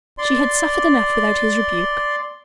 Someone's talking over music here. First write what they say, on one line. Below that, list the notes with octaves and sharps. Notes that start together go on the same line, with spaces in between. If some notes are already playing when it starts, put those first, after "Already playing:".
She had suffered enough without his rebuke.
D5 C6